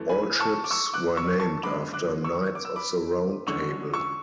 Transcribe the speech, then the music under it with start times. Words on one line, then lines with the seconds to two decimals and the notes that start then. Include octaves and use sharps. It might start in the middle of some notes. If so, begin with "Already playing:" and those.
All ships were named after Knights of the Round Table.
Already playing: F#2 E3 A3
0.09 G#5 B5
0.40 A5 C#6
0.64 D6
0.70 C#6 E6
0.93 D6 F#6
1.16 C#6 E6
1.40 A5 C#6
1.63 F#2 D3 G#3 B3 B5 D6
1.93 D6 F#6
2.24 C#6 E6
2.55 D6
2.65 E6
2.76 B5 D6
3.47 E2 D3 G#3 C#4 C#6 E6
3.94 C#6 E6